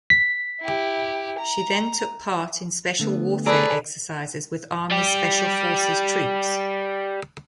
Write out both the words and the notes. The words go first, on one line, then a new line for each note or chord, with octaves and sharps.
She then took part in special warfare exercises with Army Special Forces troops.
B6
E4 G4
A#5
D3 A3 B3
G#4 A4 B4 D5 A#5
G3 G4